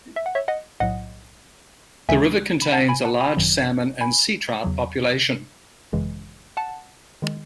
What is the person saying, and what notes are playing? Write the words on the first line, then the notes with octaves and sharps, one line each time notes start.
The river contains a large Salmon and Sea trout population.
E5
F#5
C#5 E5
D#5 F#5
B1 A2 F#3 D#5 F#5
D#2 C#3 E3 G#3 E5 G#5
B5
F#5 A5
G#5 B5
F#5 A5
G#5 B5
G#1 F#2 D#3 F#3
G#5 B5
E2 C#3 F#3
G#1 F#2 C#3 E3 G#3
F#5 A5
D#3 G#3